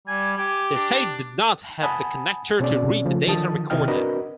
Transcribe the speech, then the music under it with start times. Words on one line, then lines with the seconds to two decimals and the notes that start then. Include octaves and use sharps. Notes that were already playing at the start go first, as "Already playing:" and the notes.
The State did not have the connector to read the data recorder.
0.08 G3 G#5
0.38 G4 G#5
0.76 D4
1.82 F#5 G#5 A5 B5 D#6
2.60 B2 C4 C#4 G#4 D5
3.05 C#3 F3 A3
3.27 D3 D#3 F3 A5 D#6
3.70 C3 D#3 E4 D#5 G5 F6
3.88 C4 D4 F#4 A#4 B4 D#5